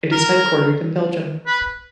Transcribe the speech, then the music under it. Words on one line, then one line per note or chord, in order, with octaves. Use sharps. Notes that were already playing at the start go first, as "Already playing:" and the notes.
It is headquartered in Belgium.
A#4
B4